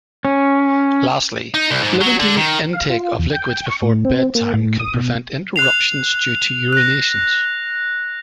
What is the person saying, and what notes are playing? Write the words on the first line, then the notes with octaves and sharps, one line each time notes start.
Lastly, limiting intake of liquids before bedtime can prevent interruptions due to urinations.
C#4
D#4
C2
G#2
F#3
D3
D#3
F5
F4
E2
G5
C#6
A2
C4
A#3
A2
D#6
B2
F#6 C7 F7
F#6 A#6